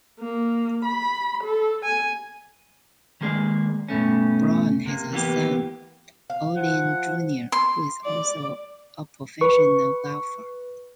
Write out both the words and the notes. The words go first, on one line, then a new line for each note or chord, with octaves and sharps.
Browne has a son, Olin Junior who is also a professional golfer.
A#3
B5
A4
G#5
D#3 G#3 A#3 G#4 D5
G2 B2 A3 C#4
C3 A#3
E3 A#3 B3 F#4 G4
F5
F3 F#5
C6
D5
B4 C#6